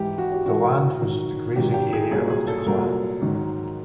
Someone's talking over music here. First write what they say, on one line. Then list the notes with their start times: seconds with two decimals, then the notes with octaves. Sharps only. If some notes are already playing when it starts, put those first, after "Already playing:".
The land was the grazing area of the clan.
Already playing: G#2 E3 G4
0.18 F#4
0.32 G4
0.46 G#2 E3 F#4
1.01 G#2 D#3 F#3
1.56 G#2 D#3 F#3 G4
1.74 G4
1.93 G#4
2.11 C2 A#2 F#3 G#4
2.30 G#4
2.47 A4
2.66 C2 A#2 F#3 A#4
3.21 G#2 D#3 F#3